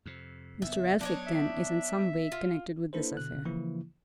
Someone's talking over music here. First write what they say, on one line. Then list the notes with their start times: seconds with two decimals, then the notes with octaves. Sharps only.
"Mr. Elphick, then, is in some way connected with this affair."
0.06 F2 C3
0.62 F#1 E2 B3 E5
1.01 F#3 B3 D4 D#4 C#5
1.26 E5
2.32 F4
2.93 A#3 D4 E4 A4 B4 C5
3.17 B2 D3 F#6
3.45 C#3 E3 F3 A#3 E4